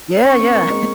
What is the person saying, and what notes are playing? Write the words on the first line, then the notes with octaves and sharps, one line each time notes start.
Yeah, yeah.
C#4 C#6
C4
A#3
G#3